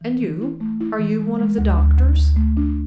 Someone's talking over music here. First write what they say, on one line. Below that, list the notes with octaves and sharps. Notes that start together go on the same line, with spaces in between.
"And you, are you one of the doctors?"
E3
E3
E4
A3
E4
E3
G#3
G#3
D2
D2
D2
D2
A3
D4